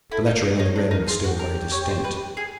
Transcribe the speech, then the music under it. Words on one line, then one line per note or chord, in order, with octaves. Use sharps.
The lettering on the rim was still very distinct.
E4 A4
D#4 A#4
D#4 B4
D#4 C#5
D4 D5
A4
D#4 A#4
F4 G#4
F#4 G4
A#4
C#5
C5
B4
G#4